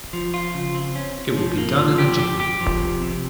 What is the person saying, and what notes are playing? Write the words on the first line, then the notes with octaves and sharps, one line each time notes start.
It will be done in a jiffy.
F3
F4
C#3
C4
C#4
C#4
F3
A#3
F3
G4
G4
G4
F3
C3
C3